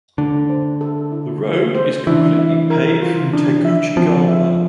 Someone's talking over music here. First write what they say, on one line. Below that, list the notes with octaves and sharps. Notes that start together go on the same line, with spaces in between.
The road is completely paved from Tegucigalpa.
D3 A3
C5
A4
E4
A3
C5
E3 D4
E5
A#4
F4
D4
E5
F3 C4
E5